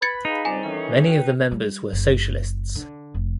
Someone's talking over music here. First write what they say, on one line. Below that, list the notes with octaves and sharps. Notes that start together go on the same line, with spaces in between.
Many of the members were socialists.
B4 B5 G#6 A6 C#7
D#4 G#4 F5 G#5
C#2 G3 C4 C5 D5 G#5
D#3 E3 C#4 A4
F#4 B4 G5
G3
F#1
D3
F1